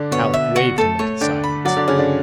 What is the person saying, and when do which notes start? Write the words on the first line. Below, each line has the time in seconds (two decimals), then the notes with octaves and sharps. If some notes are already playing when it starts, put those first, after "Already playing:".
Alec waved him into silence.
Already playing: D3 D4
0.11 B2 B3 C#5
0.34 E5
0.56 F#4
0.78 A3 A4
0.99 A3 C#5
1.21 D3 D4 G5
1.44 B5
1.65 F#3 F#4 D5
1.77 D3 D4
1.88 C#3 C#4 F#5
1.98 D3 D4